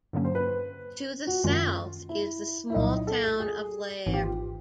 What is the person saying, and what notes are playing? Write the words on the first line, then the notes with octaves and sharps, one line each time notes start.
To the south is the small town of Lairg.
G2 D3 F#3 A#3 C#4
C5
B4
F#4
F#2 D#3 G#3 C#4 F4
E4
E4
C2 A#2 F#3 D#4
A4
A4
G#4
G#1 G#2 E3
G4
F4